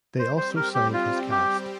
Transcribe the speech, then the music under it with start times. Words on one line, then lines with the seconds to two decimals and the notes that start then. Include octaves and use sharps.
They also signed his cast.
0.19 G3 C4 G4 C5
0.37 C5
0.56 A#4
0.75 G4
0.93 F4
1.31 G4